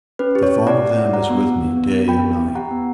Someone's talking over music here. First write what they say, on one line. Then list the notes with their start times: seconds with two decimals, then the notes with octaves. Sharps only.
The thought of them is with me day and night.
0.19 C#4 B4
0.35 G4
0.43 C#5
0.51 G4
0.67 E4 D5 F#5
0.82 E4
0.90 D5 F#5
0.98 E4
1.13 F#4 F#5 A#5
1.29 B3
1.45 B3
1.61 B3
1.77 B3
1.93 B3
2.08 B3 G5 B5
2.24 G4
2.40 E4
2.55 G4 F#5 A#5
2.71 B3